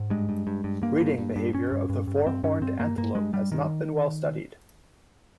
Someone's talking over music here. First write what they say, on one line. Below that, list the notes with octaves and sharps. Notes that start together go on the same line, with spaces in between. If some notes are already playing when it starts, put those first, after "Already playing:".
Breeding behaviour of the four-horned antelope has not been well studied.
Already playing: G#2
G2 G#3
G2
G2
G2
G2 A#3
G2
G2
G2
G2 C#4
G2
G2
G2
G2 C4
G2 C#4
G2 C4
G2 A#3
G2 A#3
G2 G#3
G2 G3
G2 D#3